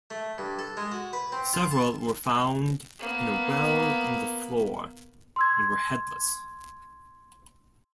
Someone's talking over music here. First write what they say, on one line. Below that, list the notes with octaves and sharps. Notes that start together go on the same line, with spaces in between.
Several were found in a well in the floor and were headless.
A3
G2
A4
G#3
F#4
B4
C4
F4
A5
A#3 B3
C6 E6 G#6